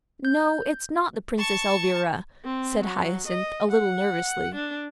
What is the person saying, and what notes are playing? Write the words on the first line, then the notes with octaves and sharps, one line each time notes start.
"No, it's not the Princess Elvira," said Hyacinth, a little nervously.
G6
A5 C#6
C4
F#3
D#5
F#5
D4